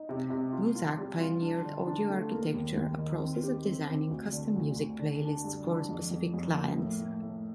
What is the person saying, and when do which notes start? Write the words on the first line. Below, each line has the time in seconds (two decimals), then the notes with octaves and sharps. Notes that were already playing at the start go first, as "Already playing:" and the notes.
Muzak pioneered "audio architecture", a process of designing custom music playlists for specific clients.
Already playing: D#4
0.09 C3
0.30 C3
0.53 F4
0.75 F4
0.98 G3
1.20 F4
1.42 D4
1.64 D3
1.86 D4
2.10 A3
2.31 A#3
2.54 D#2
2.76 D#2
2.99 D#3
3.21 C4
3.44 G4
3.65 C4
3.87 C4
4.10 D2
4.32 D3
4.55 D2
4.76 D2
4.99 D3
5.22 D4
5.44 G2
5.66 D4
5.89 F2
6.11 F2
6.34 F2
6.55 A#3
6.78 A2
7.00 A2
7.23 A2